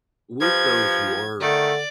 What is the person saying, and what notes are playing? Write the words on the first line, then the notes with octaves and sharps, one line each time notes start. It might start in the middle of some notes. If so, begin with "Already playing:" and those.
with those who are
G2 F3 G#6
D3 D#3 A3 D5